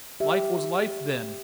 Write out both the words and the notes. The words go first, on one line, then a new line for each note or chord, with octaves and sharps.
Life was life then!
G4 E5